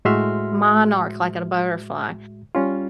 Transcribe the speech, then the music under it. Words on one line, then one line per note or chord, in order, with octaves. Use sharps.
Monarch, like in a butterfly.
A2 G#3 F#4 E5 C6 F6
G3 C#4 F4